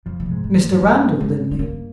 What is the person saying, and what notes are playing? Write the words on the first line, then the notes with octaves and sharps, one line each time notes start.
"Mr. Randal Linley."
F2 C#3 F3
C#3
C3
G#2 G#3
A#3
G3
F3 A#3
G2 G3
G#3
G#3
G#3
A#3